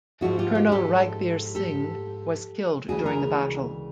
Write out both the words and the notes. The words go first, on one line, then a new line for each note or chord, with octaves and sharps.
Colonel Raghbir Singh was killed during the battle.
G#2 F3 G#3 E4 F#4
F4 G4
F4 G4
G4 A4
G4 A4
D2 C#3 E3 G#3 F#4 G#4
G#4 A#4